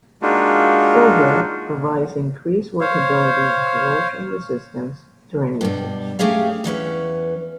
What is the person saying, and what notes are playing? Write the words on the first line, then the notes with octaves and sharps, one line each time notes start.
Silver provides increased workability and corrosion resistance during usage.
G#3 A#3 D4 D#4 F4 F#4
C5 C#5 F5
G2 B2 G3
A3 C#4 G4 G#4 C#5 F5
E2 E3 C#4 B4